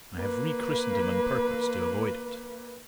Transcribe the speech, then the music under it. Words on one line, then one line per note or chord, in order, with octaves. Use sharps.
I have re-christened him on purpose to avoid it.
A#3 B4